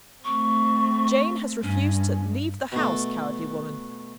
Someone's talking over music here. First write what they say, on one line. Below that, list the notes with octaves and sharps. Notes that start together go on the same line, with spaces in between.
Jane has refused to leave the house, cowardly woman!
A3 C4 C#6
G2 C#4
B2 A3